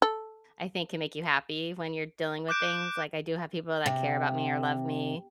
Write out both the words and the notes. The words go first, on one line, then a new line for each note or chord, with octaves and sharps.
I think, can make you happy when you're dealing with things. Like, I do have people that care about me or love me,
A4
D6 F#6 G6 D7
C3